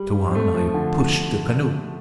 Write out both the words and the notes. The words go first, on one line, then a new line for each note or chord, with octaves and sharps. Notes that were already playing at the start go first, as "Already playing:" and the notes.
Tuan, I pushed the canoe!
Already playing: G3
C4
A3
F3
F3
D3